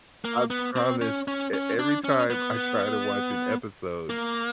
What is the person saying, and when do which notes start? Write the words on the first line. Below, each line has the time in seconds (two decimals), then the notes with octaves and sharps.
I promise e every time I try to watch an episode,
0.25 A#3
0.50 B3
0.76 C4
1.01 C#4
1.28 C#4
1.53 C#4
1.79 D4
2.04 C#4
2.30 B3
4.10 A#3